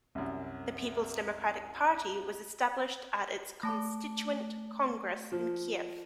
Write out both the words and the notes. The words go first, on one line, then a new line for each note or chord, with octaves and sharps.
The People's Democratic Party was established at its constituent congress in Kiev.
C2 F#2
A3 A5 D6
F3